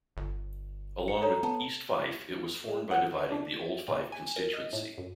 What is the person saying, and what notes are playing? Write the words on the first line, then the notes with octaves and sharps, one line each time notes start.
Along with East Fife, it was formed by dividing the old Fife constituency.
G1
C#7
A4 C#5 A#5
B3 A5
G#3
F#5
D4
A6
A#2
G#5
A#4
D#5
A2
F#2